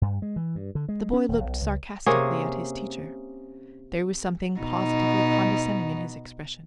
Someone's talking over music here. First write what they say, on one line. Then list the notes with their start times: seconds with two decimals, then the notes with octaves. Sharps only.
The boy looked sarcastically at his teacher. There was something positively condescending in his expression.
0.02 G2
0.22 G#3
0.36 E3
0.55 G2
0.75 D3
0.89 G#3
1.13 C#4
1.29 D#1
1.44 B1
1.62 C#2
2.06 C3 A#3 C#4 G#4
4.59 B2 D#4